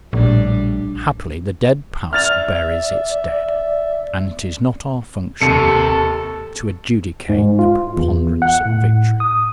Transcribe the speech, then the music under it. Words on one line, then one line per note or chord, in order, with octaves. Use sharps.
Happily the dead past buries its dead, and it is not our function now to adjudicate the preponderance of victory.
A#1 A2 G3 D4
D5 E5 F6 A6 F7
D#2 C3 A4 C#7
G#2
F4
E2
F#5
A2
D#6